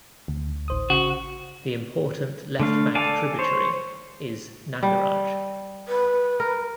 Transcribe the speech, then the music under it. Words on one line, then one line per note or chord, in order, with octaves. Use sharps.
The important left bank tributary is Nandiraj.
D2
A1 C5 D#6
C#3 F#4
D3 A3 F5
A4 D5 F5 G#5 A5
C5 C#5
G3
B4
A#4